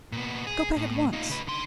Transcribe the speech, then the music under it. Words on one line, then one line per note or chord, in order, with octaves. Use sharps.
Go back at once!
A#2 B3
G#4
A2
D#4 F4
C#3 B4
D3 C6